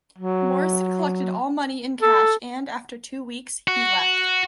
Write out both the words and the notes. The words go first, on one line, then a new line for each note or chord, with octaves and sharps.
Morrison collected all money in cash and, after two weeks, he left.
F#3
A4
F#4